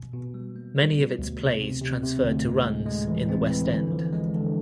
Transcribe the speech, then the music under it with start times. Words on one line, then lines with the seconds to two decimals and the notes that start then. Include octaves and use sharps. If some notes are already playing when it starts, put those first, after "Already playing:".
Many of its plays transferred to runs in the West End.
Already playing: B2
0.14 B2
0.34 G3
0.56 A#3
0.77 G3
0.98 B2
1.19 D2
1.40 C3
1.61 C3
1.81 C3
2.03 C3
2.24 D2
2.45 A2
2.65 G#3
2.86 G#3
3.07 E3
3.29 C4
3.50 E3
3.70 D3
3.92 F3
4.13 G#3
4.34 D3